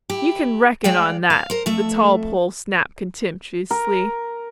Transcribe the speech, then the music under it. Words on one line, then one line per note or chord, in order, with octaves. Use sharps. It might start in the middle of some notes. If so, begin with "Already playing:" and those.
"You can reckon on that," the tall Pole snapped contemptuously.
E4 G4
G#3 D5 F5 G5
F5
A#4 C5
F2 A3 E5
A#4